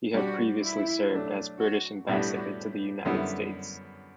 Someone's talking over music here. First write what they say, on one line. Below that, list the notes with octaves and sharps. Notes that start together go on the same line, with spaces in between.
He had previously served as British Ambassador to the United States.
G3 D4 F#4 G4
E4
F#3 A3 D4
F#4
A2 G3 B3 D4 F#4 G4
F#2 D3 G3 B3 E4